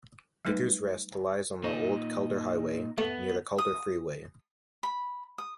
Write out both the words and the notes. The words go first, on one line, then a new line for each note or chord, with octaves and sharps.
Diggers Rest lies on the Old Calder Highway, near the Calder Freeway.
F#3 G3 A3 D#4 B4
A#2 D#4
A3 B3
D#6
B5
D#6